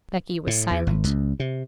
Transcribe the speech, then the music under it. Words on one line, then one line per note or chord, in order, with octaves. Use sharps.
Becky was silent.
A2
E2
G#1
C#2
C3